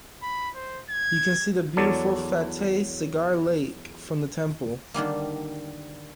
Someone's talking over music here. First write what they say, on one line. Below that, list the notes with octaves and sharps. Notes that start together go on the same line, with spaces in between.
You can see the beautiful Fateh Sagar Lake from the temple.
B5
C5
G#6
E2 F#3 A4 C#5 D5
D3 D#3 G3 A#3